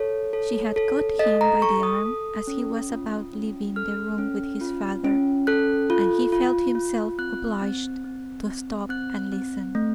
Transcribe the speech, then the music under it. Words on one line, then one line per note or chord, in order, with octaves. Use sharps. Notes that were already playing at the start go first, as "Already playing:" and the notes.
She had caught him by the arm as he was about leaving the room with his father, and he felt himself obliged to stop and listen.
Already playing: A4 C#5
A4
A4
A4 D#5
A#5
A4 C#6
D#6
A4
C#4
F4
C#4
A4 F6
C#4
F4
C#4
A4 F#6
F4
F4
F4
C4 F#6
C4
C4
C4
C4 F#6
C4
A3